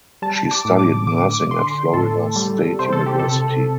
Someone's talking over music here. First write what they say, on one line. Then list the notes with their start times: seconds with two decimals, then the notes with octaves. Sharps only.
She studied nursing at Florida State University.
0.22 G3 A5
0.51 D6
0.65 A2
0.79 D6
1.07 D3 D6
1.51 D3 C6
1.94 A2 A4
2.36 G3
2.79 C3 C5
2.93 A4
3.06 G4
3.19 C3 A4